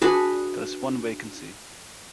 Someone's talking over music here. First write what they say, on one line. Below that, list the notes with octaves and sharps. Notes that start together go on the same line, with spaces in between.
There is one vacancy.
D4 F#4 G#4 B4